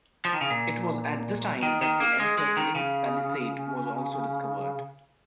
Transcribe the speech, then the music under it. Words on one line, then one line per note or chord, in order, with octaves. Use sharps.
It was at this time that the encircling palisade was also discovered.
F3
D#3
C#3
A#2
D#3
D#3
A#3
G#3
G#3
D#3
C#3